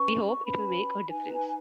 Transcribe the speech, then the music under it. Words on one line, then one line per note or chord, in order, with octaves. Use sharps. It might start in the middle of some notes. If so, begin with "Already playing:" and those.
We hope it will make a difference.
Already playing: C#4 B4 C#6
C#4 B4 B5
D#4 B4 G#5
G#5